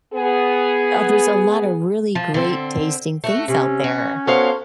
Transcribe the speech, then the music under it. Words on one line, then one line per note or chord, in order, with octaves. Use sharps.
uh, there's a lot of really great tasting things out there.
B3 G#4
F3
D3 C4
A3 F#4
C3 C#4
F#4
B3 F#4 A4 C5 C#5 F5